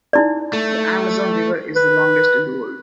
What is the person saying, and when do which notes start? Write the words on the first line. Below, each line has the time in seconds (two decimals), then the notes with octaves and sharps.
The Amazon River is the longest in the world.
0.13 D#4 E4 D5
0.53 A3
1.75 B4